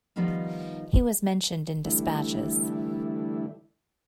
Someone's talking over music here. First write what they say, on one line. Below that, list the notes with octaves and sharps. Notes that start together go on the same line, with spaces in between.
He was mentioned in despatches.
D#3 F3 G3 B3 D#4 F4
D3 E3 G3 A3 E4